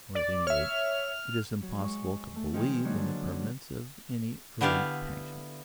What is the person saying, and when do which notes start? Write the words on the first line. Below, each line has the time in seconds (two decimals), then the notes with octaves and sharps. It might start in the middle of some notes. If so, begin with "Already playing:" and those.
Or, at any rate, it is impossible to believe in the permanence of any early passion.
0.15 D5
0.47 C#5 E5 F6
1.62 F#3
1.79 G#3 C#6
2.36 A3
2.53 D#3 F3 D#4 G#4 G5 G6
2.85 D#3 F3 F#3 G#3 A#3 D4
2.97 D3
4.61 D3 B3 E4 G4 D5 F5